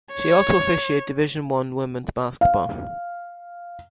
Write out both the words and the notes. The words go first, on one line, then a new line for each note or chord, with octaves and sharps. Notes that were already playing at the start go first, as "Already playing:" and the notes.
She also officiates Division One Women's Basketball.
C#5
F5